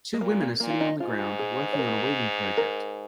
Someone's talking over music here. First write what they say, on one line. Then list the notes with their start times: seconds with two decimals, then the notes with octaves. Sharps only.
Two women are sitting on the ground working on a weaving project.
0.14 G#3
0.21 A#2 A#3
0.41 A#3
0.60 A#2 A#3
0.70 F4
0.81 D#4
1.00 G#2 F4
1.39 G#4
1.73 C#5
1.79 A#4
2.57 A#4